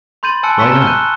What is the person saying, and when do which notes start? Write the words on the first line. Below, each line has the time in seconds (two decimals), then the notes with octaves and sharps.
Why not?
0.23 B5 C6 G6 A6 D#7 F#7
0.43 G#5 A5 E6 F#6 C#7
0.58 C#6 E6 B6 C#7 D#7 E7
0.72 A#5 F6 G7
0.86 F#6 G6 D#7